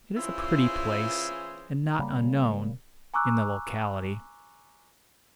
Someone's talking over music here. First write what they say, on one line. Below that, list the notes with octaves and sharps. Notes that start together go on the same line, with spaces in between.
It is a pretty place, and not unknown--in the locality.
E3 C#4 E4 F4 G#4 C5
C#3 G3 A#3
G#5 A#5 C#6 D6 E6 F#6